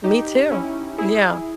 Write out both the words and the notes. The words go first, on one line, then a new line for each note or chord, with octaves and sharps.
Me too. Yeah.
D#4 G4
C#4 E4
E4 G#4